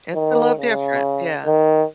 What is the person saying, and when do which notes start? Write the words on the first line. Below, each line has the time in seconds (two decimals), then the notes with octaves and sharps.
It's a little different, yeah.
0.14 D#3
0.59 C#3
1.45 D#3